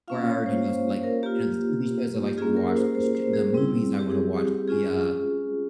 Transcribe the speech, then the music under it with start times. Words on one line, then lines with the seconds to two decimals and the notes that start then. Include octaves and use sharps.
where I already know, so, like, you know, the TV shows I like to watch, the sh the movies I wanna watch, the, uh,
0.08 A#3 C#4 F4 F5
0.27 C#5
0.46 C5
0.66 C5
1.03 A#4
1.23 A#3 F4 G4
2.26 G4
2.37 A#3 C#4 F4 G#4
2.57 A#4
2.77 C5
2.95 C5
3.15 C5
3.34 G#4
3.53 G3 C4 E4
3.99 G4
4.11 G#4
4.39 G4
4.68 G#3 C#4 F4 G#4